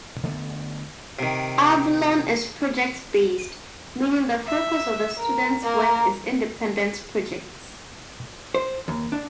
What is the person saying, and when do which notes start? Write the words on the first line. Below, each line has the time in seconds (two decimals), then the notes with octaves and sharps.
Avalon is project-based, meaning the focus of the student's work is independent projects.
0.23 D3 A3 B3
1.19 C3 D#3
4.46 E5
5.19 A#4
5.63 A#3 A#4
8.55 C5
8.88 D#2
9.12 D4